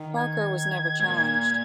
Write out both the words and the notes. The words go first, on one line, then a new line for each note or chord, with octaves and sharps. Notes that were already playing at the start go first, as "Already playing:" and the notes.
Parker was never challenged.
Already playing: D#3
G#6
G#2
A#2